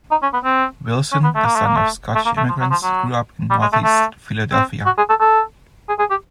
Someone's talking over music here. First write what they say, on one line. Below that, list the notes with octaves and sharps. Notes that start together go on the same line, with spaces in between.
Wilson, the son of Scottish immigrants, grew up in northeast Philadelphia.
D#4
C#4
B3
C4
C#4
B3
A3
A#3
A3
A#3
A3
A3
A#3
A3
F3
F#3
F3
F#3
G3
G#3
A3
A3
C4
F#4
G#4
A4
A4
G#4
G#4
G4